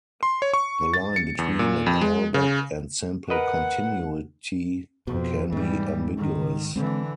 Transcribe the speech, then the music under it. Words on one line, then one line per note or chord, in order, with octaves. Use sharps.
The line between a callback and simple continuity can be ambiguous.
C6
C#5
C#6
A6
C#7
E2
A#2
F2
G#3
C#3
A#4 B4 D#5 F#5
F2 B2
G#2 E3 G3
D#3
D3 E3 G#3 C4